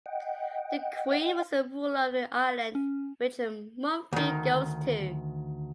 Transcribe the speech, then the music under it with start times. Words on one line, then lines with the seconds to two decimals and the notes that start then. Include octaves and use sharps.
The queen was the ruler of the island which Mumfie goes to.
0.06 D#5 F#5 G5
2.75 C#4
4.13 D2 D#3